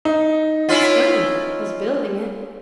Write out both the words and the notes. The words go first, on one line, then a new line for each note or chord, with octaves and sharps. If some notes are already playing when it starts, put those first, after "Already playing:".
"It's funny--his building it."
D#4
C#4 E4 F4